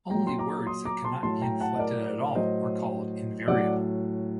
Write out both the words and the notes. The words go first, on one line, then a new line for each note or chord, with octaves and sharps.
Only words that cannot be inflected at all are called "invariable".
A#2 F#3 G5 A#5
C6
A#5 D6
C6 D#6
A#5 D6
A5 C6
A2 F#3 A5 C6
G5 A#5
F#5 A5
D#5
A#4 D5
A2 F#3 C5 D#5
A2 F#3 D5 F#5